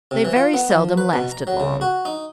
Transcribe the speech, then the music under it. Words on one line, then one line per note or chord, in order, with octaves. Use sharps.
They very seldom lasted long.
C3
E3
F4
B3
F3
B4
B2
A#5
F#3
C#3
F#4
D#4